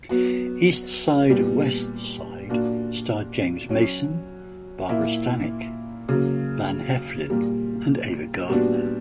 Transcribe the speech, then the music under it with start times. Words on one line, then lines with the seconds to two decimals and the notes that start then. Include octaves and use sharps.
"East Side, West Side" starred James Mason, Barbara Stanwyck, Van Heflin, and Ava Gardner.
0.09 F#3 B3 F#4
1.29 A#2 G3 B3
2.49 A#2 A#3 D4 F#4
3.69 F#3 C#4 F#4
4.89 A#2 A#3 E4
6.09 C#3 F#3 A#3
7.30 A#2 G3 A#3
8.49 A#2 G3 B3 D4 F#4